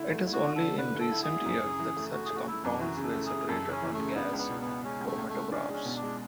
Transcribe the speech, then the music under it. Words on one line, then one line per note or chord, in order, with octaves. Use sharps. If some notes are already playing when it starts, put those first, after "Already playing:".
It is only in recent years that such compounds were separated on gas chromatographs.
Already playing: D3 A3 E4
A3
E4
F#4
D3
A4
D3
D3 B4
A3
A4
E4
E4 G#4
F#2
C#3
E3
A3
A3 F#4
G#4
A3
F#4
A3 E4
F#2 D4
E3 F#4
C#3
A4
A3
G#4
C#3
F#2 A4
C#3
C#4
E3
A3
C#3
B3 D4
C#2
B3
B2
B3
B2
G#3 C#4
C#2 A3
C#2
A3
C#2
C#4 D4
G#3 C#4
B2
D4
G#3